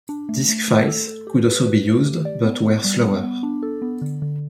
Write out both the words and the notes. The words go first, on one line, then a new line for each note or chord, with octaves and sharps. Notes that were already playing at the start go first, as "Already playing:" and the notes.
Disk files could also be used but were slower.
D4
A3
A3
A3
A4
A4
G4
B4
B4
A3
G4
D5
B3
B3
G3
B3
B3
D4
A4
B3
D3
D3